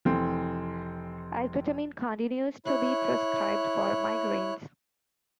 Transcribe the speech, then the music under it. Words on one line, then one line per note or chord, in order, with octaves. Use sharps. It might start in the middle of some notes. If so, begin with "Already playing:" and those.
Ergotamine continues to be prescribed for migraines.
F1 E3 C4
E4 C#5 F#6